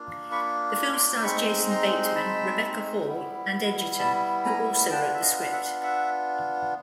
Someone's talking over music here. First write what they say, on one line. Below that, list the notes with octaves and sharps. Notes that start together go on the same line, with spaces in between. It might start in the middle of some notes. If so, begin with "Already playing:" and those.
The film stars Jason Bateman, Rebecca Hall and Edgerton, who also wrote the script.
Already playing: A#3 D4 F4
B5 C#6
C6 D6
G#3 C4 D#4 B5 C#6
A#5 C6
C6
A5 B5
G3 B3 E4
A5 B5
G#5 A#5
B3 D4 F4 G5 A5
E5
D#5 F5
E5 F#5
E5 F#5